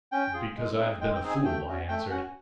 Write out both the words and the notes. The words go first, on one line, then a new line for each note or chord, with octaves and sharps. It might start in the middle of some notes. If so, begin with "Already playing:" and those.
"Because I have been a fool," I answered.
C#4 G5
F4 G#4
G#3
C4 D#4 G#4
G#3 G5
G5
C4 D#4 G#4
G#5
A3 G5
C#4 F#4
A3 G5
C#4 F#4 F#5